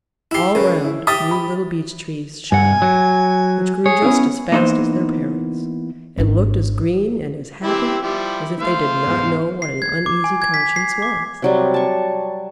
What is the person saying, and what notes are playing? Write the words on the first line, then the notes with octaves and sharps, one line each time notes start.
All round new little Beech Trees shot up, which grew just as fast as their parents, and looked as green and as happy as if they did not know what an uneasy conscience was.
E4 G4 E6 C7
C#3 A#4 B4 C#5
E4
G4 E5 D#6 A6
B5
G2 F#5 G#5
F#3
G#4 C#5
B3 C#4 E4
E3 A#3 B3 D#4 E4 C5
G#1 D4
E3 C4 E4 G4
F3 G3 E4
A3 C5 F5
E2 G#2
C7
G#6
D6
G#5
G#6
B6
C7
D6
C3 F#3 G3
A5 C#6